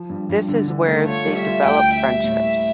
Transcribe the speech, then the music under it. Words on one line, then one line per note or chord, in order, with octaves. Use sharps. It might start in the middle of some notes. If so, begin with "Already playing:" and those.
This is where they develop friendships.
Already playing: F3
G2
G2
D3
D3
A3
F4 C#5
G3
E5
F4
D2 G5
D2
E5
G3
A2
A#3